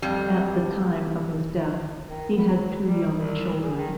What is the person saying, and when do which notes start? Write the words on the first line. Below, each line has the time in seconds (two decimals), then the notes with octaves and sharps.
At the time of his death, he had two young children.
0.02 F2 G3
2.07 D#3
2.37 B3
2.53 F#3
2.87 G3
3.14 C2
3.62 G#4
3.76 D#3